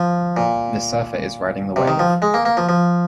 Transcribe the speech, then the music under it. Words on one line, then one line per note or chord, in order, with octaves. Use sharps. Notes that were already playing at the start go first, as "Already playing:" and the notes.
The surfer is riding the wave.
Already playing: F3
A#2
C3
D#3
F3
G#3
A#3
A#3
F3
F3